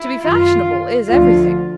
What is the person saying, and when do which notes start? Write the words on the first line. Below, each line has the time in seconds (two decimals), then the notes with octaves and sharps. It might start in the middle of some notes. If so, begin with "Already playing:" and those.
To be fashionable is everything.
Already playing: E4
0.24 F#2 D#3 F4
1.05 D2 D3 F3 F4